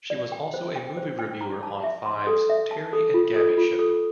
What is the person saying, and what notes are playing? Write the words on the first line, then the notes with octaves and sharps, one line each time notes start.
She was also a movie reviewer on Five's "Terry and Gaby Show".
D5
G5
C5
G5
C5
G5
A#5
A5
E5
C6
A4
E5
A5
A4
F4
A4
F4
A4